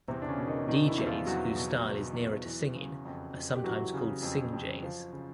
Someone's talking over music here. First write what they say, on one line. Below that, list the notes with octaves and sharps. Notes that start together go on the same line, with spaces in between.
Deejays whose style is nearer to singing are sometimes called singjays.
E2 C3 C4
D4
C#3 C#4
B2
D#3 D#4
B2 D#3 D#4
E3 E4
E2
F3 F4
E2 F#3 F#4
B2
B2
E2
E3
C#3
F2
F2
G4
E3 F#3 F#4
C#3
F2
F2
F3
C#3